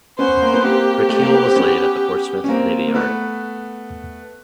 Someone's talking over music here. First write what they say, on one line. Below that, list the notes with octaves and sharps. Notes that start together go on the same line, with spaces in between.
Her keel was laid at the Portsmouth Navy Yard.
B3 C#4 C5
A#3
B3
A#3 C4 G4
A3
A#3
B3
C4
B3 C#4
C#4
A#3 C4
A#3
A3 B3